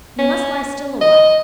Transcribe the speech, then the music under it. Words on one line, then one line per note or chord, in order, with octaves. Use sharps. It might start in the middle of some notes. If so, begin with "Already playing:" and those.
You must lie still awhile.
C#4
D#5